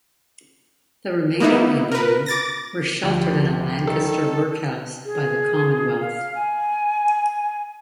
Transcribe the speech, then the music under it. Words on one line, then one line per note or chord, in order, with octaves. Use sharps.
The remaining Indians were sheltered in a Lancaster workhouse by the Commonwealth.
A#3 B3 D#4 E4
A#4 B4
D6 A6 A#6
D2 F3 G4
D#3 G3 D#4 A4
G#4
F5
G#5